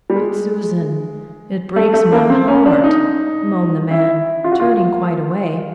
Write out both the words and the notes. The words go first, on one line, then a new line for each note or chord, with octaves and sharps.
"But, Susan, it breaks my heart," moaned the man, turning quite away.
G3
G#3
A3
A3
A#3
C4
C#4
D4
D#4
E4
F4
F#4
F4